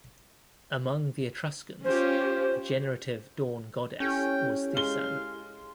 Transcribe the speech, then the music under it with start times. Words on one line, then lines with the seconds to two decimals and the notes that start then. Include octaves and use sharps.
Among the Etruscans, the generative dawn-goddess was Thesan.
1.85 C#4 F4 G4 C5
4.00 C#4 E4 G4 A4 G5
4.75 G#3 F5 G7